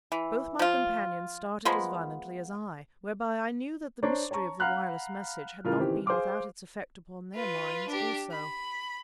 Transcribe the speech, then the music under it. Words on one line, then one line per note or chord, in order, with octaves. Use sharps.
Both my companions started as violently as I, whereby I knew that the mystery of the wireless message had not been without its effect upon their minds also.
E3
F3 F4
F3 G#3 A#3 B3
D4 C5 C#5 A#5 C#6
C#5 A5 A#5 C#6
F5 F#5 A#5 B5 F6 F#6
A2 C#3 E3 F4 A#4 F6
D#3 E3 C4 G4
G#4 C5 F5 C6 D6 F6
F4 B4
D4 G4
B5